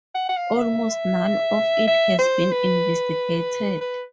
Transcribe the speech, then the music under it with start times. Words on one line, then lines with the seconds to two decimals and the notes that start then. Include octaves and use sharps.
Almost none of it has been investigated.
0.15 F#5
0.29 F#5
0.37 F5
0.58 E5
1.87 E5
2.19 C5
2.52 B4
3.81 B4